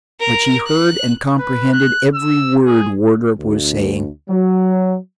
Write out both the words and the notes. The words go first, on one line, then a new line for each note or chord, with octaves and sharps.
But she heard and comprehended every word Wardrop was saying.
A#4
F#6
B4
F#6
E6
G#4
D2
F#3